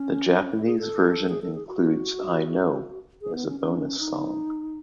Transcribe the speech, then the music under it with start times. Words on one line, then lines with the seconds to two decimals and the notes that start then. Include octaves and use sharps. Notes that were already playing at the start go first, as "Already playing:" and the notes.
The Japanese version includes "I Know" as a bonus song.
Already playing: C#4
0.53 E4
0.66 G#4
0.79 A4
1.29 G#4
1.42 A4
1.55 G#4
1.67 F#4
3.22 G#4
3.35 B3
3.47 C#4
3.60 C#4
3.99 D#4